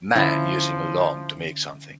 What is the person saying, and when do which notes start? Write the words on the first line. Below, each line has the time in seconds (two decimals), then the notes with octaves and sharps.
Man using a loom to make something.
0.15 D3 F3 C#4 E4 F5